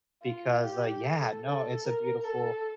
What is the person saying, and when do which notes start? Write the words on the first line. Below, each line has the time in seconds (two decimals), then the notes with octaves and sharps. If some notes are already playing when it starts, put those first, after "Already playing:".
because, uh, yeah, no, it's a beautiful
0.23 F4
0.64 G4
1.04 A4
1.43 A4
1.84 A#4
2.24 A4